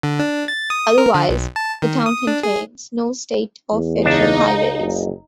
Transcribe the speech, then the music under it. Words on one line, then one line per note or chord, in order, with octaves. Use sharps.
Otherwise, the town contains no state or federal highways.
D3
D4
A6
D#6
A#4
D3
B1
A5
D#3
D#6
D4
G#4
E2
C#2 D4 D#4 A5
F#1